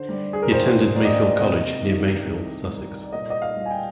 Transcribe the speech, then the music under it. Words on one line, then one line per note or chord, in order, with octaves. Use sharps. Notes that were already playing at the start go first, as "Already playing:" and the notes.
He attended Mayfield College near Mayfield, Sussex.
Already playing: D3 C5
G3
G#4
A#4
D#2 C5
A#3 D5
D#5
D5
C3 D#5
D#3
C2
G3
D5
A#2 D#5
D#5
F5
G3
G#5
G5